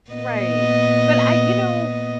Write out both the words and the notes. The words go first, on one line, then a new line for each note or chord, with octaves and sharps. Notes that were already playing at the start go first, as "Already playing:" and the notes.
Right. But I you know,
A#2 B3 D#5